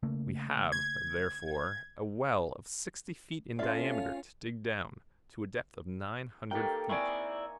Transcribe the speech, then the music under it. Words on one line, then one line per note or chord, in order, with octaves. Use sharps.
We have, therefore, a well of sixty feet in diameter to dig down to a depth of nine hundred feet.
C#3 A3 A#3
G#6
A3 C#4 E4 F4 D5 E5 F5
A#3 D#4 G4 A4 G5
E4 D5 G#5 A#5 C#6